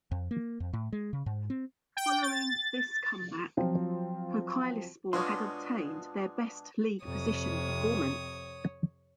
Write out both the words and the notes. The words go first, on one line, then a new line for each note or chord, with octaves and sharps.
Following this comeback, Kocaelispor had obtained their best league position performance.
F2
A#3
F2
A2
G#3
C#3
G#2
C4
G5
A6
F3 F#3 C4 F4
B2 G#3 C#4 D4 F4 G#5 C6 D6
F2 C3 C#5 D#6